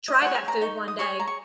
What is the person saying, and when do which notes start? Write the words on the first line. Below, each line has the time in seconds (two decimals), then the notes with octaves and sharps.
try that food one day.
0.08 D#5
0.22 G#4 C#5 F#5
0.35 G#5
0.48 A#5
0.61 D#4 C#6
0.88 D#6
0.99 G#4 C#5 C#6
1.19 A#5
1.28 C#6